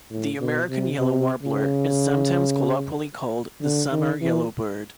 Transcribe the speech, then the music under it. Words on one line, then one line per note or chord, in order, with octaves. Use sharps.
The American yellow warbler is sometimes colloquially called the "summer yellowbird".
A2
B2
C3
C3
C#3
D3
D#3
E3